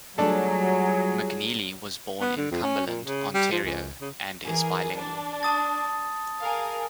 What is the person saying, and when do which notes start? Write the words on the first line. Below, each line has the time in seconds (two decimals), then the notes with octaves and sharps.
McNeely was born in Cumberland, Ontario and is bilingual.
0.18 F#3 G3 A3 D4 F4 G#4 A4
2.21 B3
2.37 D3
2.52 F2
2.64 C#4
2.87 A#2
3.06 C#3
3.34 G3
3.52 F3
3.64 C#2
4.01 C#3
4.44 E3 G#4 A#4
4.96 D4
5.43 A5 D#6 A6
6.39 G#4 A#4 F5